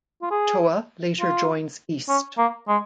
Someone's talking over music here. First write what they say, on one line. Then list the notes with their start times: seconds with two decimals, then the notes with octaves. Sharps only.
Toa later joins east.
0.22 F4
0.31 G#4
1.20 F4
2.08 C#4
2.38 A#3
2.68 G#3